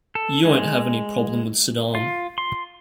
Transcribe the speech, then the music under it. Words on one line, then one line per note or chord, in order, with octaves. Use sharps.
You won't have any problem with Saddam.
A4
G#3
F4
C6